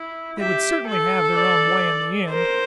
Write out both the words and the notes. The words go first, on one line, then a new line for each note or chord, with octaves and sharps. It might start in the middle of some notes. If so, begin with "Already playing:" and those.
They would certainly have their own way in the end.
Already playing: E4
G4 E5
A4
D5
A#4 C5